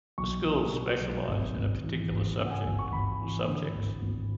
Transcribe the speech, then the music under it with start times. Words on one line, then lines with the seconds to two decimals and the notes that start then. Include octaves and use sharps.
The schools specialize in a particular subject or subjects.
0.18 B1 C#6
0.45 B1
0.72 B2
1.00 B1
1.28 G#1
1.55 G#1
1.83 E3
2.10 G#1
2.37 C#3
2.46 F#5
2.51 G#5
2.65 G#1
2.79 C#6
2.92 G#1 B5
3.20 E3
3.47 D3
3.75 G#1
4.02 G#1